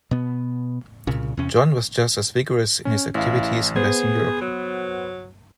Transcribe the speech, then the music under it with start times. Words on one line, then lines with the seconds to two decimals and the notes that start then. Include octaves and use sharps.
John was just as vigorous in his activities in Western Europe.
0.11 B2 B3
1.07 C2 A#2 C#3
1.37 E2 C3 C#4
2.85 C#4
3.15 A1 E4 F5
3.76 B3 G#4 C5
4.41 F#3